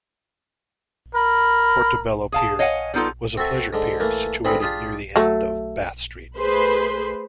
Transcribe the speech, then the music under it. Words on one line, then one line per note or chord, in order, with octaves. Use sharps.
Portobello Pier was a pleasure pier situated near the end of Bath Street.
A#4 B5
G#4 F5 A5
C#5 D#5 F5 F#5 G#5
G3 B3 D#4 F4 A4
C4 F#4 A4 E5 G#5
G#2 D3
E3 A3 A#3
D2 C3 E3 C4 G#4 B5
D4 F4 G4 G#4
F#3 A3
A3 G#4 B4 C5 B5 C6